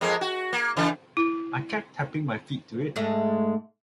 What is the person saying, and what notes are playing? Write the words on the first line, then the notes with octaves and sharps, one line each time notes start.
I kept tapping my feet to it.
F2 G#3 A#3
F#4
A#3
C#3 E3
E4
G#2 G#3 A3